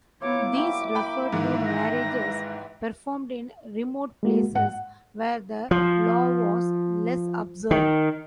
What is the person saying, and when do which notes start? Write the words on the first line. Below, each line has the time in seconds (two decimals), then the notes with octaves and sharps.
These referred to marriages performed in remote places, where the law was less observed.
0.21 B3 E4 F4 C#5 A#5 D6
0.54 F#3 G3 A#3 E5
0.95 G5 B5
1.32 G#2 D#3 E3
1.66 A#4 G5 A#6
2.07 B4 D5
4.23 G#3 A#3 F#4
4.55 G#2 F#5
5.71 F3
7.71 D#3